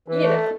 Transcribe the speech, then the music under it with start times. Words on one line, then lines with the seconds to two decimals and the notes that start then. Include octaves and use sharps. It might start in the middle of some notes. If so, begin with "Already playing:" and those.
you know,
0.08 E3
0.22 A3